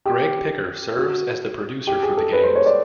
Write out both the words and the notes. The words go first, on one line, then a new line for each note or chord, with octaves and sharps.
Gregg Picker serves as producer for the games.
G4
F#4
G4
G#4
A4
B4
C5
C#5
D5